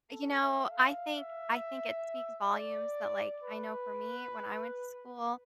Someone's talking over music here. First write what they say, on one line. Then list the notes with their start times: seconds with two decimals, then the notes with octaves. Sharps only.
You know, I think I think it speaks volumes that, like, I know for me when I went to school,
0.10 A4
0.41 E5
0.71 F5
1.16 E5
2.53 D5
3.43 B4